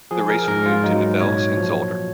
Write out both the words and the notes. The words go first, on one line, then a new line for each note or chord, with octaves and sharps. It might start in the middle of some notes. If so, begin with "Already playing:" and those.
The race would move to Nivelles and Zolder.
F3 G#4
A#4
G#2 A#4
F4
F#3 D#4
A#2 C#5
F3